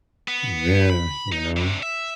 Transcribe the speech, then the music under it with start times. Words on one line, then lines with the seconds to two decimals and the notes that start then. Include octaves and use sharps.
Yeah, you know,
0.28 B3
0.90 B5
1.32 D#4
1.57 C3 D4
1.83 E5